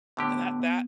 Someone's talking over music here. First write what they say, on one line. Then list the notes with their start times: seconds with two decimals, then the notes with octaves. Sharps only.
and that that
0.17 A2 D3 B3 G4